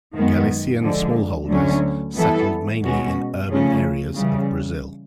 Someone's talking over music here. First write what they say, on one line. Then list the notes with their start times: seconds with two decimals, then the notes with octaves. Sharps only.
Galician smallholders settled mainly in urban areas of Brazil.
0.14 F#2 D#3 G#3 B3
0.81 D3 F3 G#3
1.49 D2 D3 F#3 A3 C#4
2.15 E3 G3 B3 E4 A4
2.82 B2 G#3 C#4 F#4
3.49 C#3 F3 A3 C#4
4.16 C#3 E3 G3